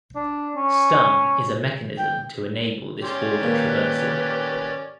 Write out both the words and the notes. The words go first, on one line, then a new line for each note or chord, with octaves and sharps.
Stun is a mechanism to enable this border traversal.
D4
C#4
G5
C#4 G4 D5 C6
D#2 A#2 B4